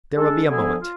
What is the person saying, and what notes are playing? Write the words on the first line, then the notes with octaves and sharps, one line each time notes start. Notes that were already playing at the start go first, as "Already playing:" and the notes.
There will be a moment!
G#3 D4 A4
D3 F3 B3 E4 G#4
F4